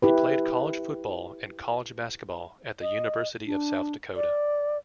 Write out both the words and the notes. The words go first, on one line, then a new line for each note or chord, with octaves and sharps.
He played college football and college basketball at the University of South Dakota.
E4 G4 B4
D#5
D4
D5